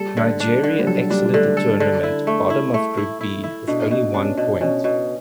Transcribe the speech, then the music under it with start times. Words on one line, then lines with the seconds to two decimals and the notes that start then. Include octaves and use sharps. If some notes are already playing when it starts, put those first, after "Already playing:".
Nigeria exited the tournament bottom of Group B with only one point.
Already playing: G3 A4
0.17 D3
0.40 D4
0.63 D3
0.79 G3
0.87 F#3 A4
1.10 G3 D4
1.26 G3
1.34 D3 A3
1.57 A4
1.80 D3
2.04 E4
2.27 A3
2.50 E4
2.74 A3
2.97 E4
3.21 E4
3.44 E4
3.68 B2 D4
3.91 B2
4.14 C#4 D4
4.38 B2
4.61 B2 C#4
4.84 B2